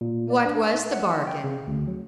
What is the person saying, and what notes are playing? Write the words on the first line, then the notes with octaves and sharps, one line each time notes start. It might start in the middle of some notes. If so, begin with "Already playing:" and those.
"What was the bargain?"
A#2
D5
D4
E6
D#4
F#5
G5
C#3
D2
F#3